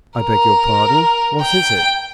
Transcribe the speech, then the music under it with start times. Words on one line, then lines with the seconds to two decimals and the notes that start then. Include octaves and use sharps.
"I beg your pardon; what is it?"
0.19 A#4
1.42 G5